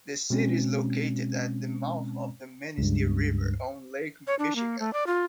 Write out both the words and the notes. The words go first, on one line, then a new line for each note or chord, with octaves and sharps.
The city is located at the mouth of the Manistee River on Lake Michigan.
B2 G#3 C4 C#4
C#2 G2
C#5
D4
A#3
A3
D5
F4